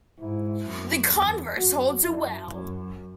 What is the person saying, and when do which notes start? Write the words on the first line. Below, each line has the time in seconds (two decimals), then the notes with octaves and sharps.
The converse holds as well.
0.20 G#2 E4
0.66 F#2
1.12 E2
1.57 F#2 F#4
2.03 F#2 E4
2.49 F#2